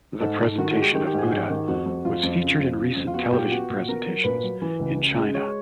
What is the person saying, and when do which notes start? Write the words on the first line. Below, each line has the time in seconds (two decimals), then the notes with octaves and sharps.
"The Presentation of Buddha" was featured in recent television presentations in China.
0.21 G#2 A4
0.39 G#2
0.58 D#3 F#4
0.71 F#4
0.76 G#3
0.82 G4
0.94 D#3 G4
1.07 G4
1.13 G#2 G#4
1.25 F#4
1.31 G#2 G4
1.50 D#3
1.68 F2 F#4
1.86 F2
2.05 F2 F4
2.23 F2
2.41 C#3
2.60 F2
2.77 C#3
2.96 F2
3.07 F4
3.14 B3 F#4
3.33 A#2 G4
3.51 B3 F#4
3.70 A#2
3.88 B3 A#4
4.06 F#3
4.24 A#2 B4
4.43 F#3
4.62 E3
4.80 C#2
4.98 C#3
5.16 G#3
5.34 G#3 C#5